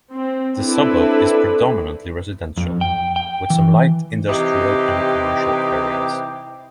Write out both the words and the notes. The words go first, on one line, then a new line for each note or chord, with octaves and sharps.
The suburb is predominantly residential, with some light industrial and commercial areas.
C4
C4 D4 E4 A4 B4
F2
G5
G5
E3
C3 E3 D#4 G4